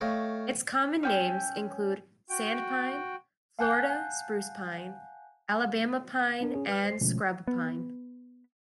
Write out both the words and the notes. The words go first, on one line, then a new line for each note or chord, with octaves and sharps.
Its common names include sand pine, Florida spruce pine, Alabama pine, and scrub pine.
A3 C#5 D#5 F5 G5
C#4 G5 E6
F#4 G5
F5 F#5 G#5 A5 F#6 G6
B3 D4 A#4
C#4 G#4
B4 F6
C5 C7
B2 D3 F3 G#3 A3 C#4
B3